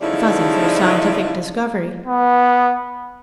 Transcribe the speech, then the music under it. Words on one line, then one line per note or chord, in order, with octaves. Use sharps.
The Fuzzies are a scientific discovery.
C#3 F3 G3 A3 D#4 E4
B3